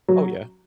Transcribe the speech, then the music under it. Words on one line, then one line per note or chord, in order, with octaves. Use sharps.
Oh, yeah.
F#3